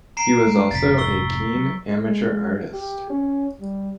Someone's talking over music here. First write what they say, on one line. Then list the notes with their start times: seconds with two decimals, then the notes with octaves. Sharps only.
He was also a keen amateur artist.
0.17 A#5 C7 D7
0.47 G#3
0.71 F1 F2 G#2 A6 B6
0.98 C#6 E6 G7
1.55 F#3
2.06 G#3
2.73 G4
3.10 C#4
3.60 G3